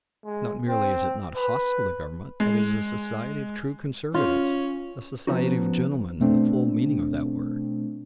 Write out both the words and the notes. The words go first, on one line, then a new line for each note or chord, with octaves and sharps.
Not merely is it not hostile to government, but it is a society of true conservatives--a society of gentlemen in the full meaning of that word.
G#3
C4
B4
G#3
C#4 F4
F3 G3 B3 C#4 D#4 F#4
B2 A3 C4 D4